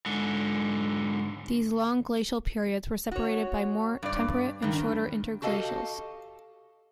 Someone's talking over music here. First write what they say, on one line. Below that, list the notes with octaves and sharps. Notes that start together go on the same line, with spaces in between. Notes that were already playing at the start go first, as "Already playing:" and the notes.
These long glacial periods were separated by more temperate and shorter interglacials.
G#2 D3
F#4 C#5
G2 D5
G2 D#3
F#4 G4 A4 D#5 F5